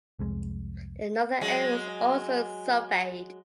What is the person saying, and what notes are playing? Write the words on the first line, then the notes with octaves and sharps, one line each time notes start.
The northern end was also surveyed.
C2 F2 G#3
F#3 G#3